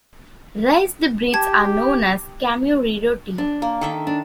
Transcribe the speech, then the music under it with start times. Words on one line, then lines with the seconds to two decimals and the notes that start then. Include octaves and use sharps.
Raised breads are known as "khamiri roti".
1.34 G4 A5 G#6
3.38 D4
3.62 A#3
3.81 D#3 A4 E5
4.07 D4